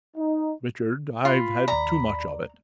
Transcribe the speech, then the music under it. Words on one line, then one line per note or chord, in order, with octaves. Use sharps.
"Richard, I've had too much of it!"
D#4
F4 F5 B5
D#2 D5 A#5